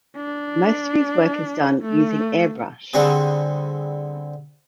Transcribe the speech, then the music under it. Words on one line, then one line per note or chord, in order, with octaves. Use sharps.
Most of his work is done using airbrush.
D4
A3
D3 G3 C4 F#4 G#4